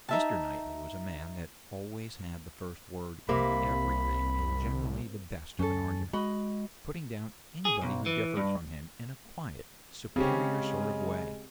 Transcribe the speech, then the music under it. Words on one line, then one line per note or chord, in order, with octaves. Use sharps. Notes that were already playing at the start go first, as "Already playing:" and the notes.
Mr. Knightley was a man that always had the first word in everything, and generally the best of an argument--putting down anybody who differed from him in a quiet, superior sort of way.
D#4 E5 A5
C2 C3 A#3 B5
F#2 C#4 A4
G#3 F#4 D#5 B5
G#4
B1
E3
G2
C#3 G#3 C4 C#4 G4